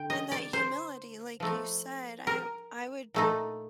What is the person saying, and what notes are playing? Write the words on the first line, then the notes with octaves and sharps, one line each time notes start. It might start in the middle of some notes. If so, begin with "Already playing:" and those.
And that humility, like you said, I I would
Already playing: D3 G5
D#5
D5
C5
F3 A3 D#4
A#4
A#2 A3 D#4